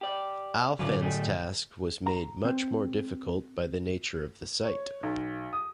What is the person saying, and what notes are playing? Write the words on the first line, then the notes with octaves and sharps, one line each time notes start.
Alphand's task was made much more difficult by the nature of the site.
G4 D5
A2 D3 F#3 C#4 F4 D5
G3 A3 G#4
A#5
C4
C#5
B1
D#6